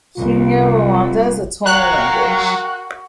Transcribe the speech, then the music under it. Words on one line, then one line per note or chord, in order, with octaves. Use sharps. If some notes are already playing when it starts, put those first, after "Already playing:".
Kinyarwanda is a tonal language.
C2 F4
F#3 F#4 A#4 F5 G5 F#6